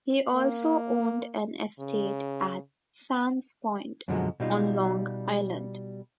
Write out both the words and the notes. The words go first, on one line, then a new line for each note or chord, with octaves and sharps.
He also owned an estate at Sands Point on Long Island.
A#3
C#3
F#2 B2 D3 F3 F#3 G#3
B2 G3 D#4 F4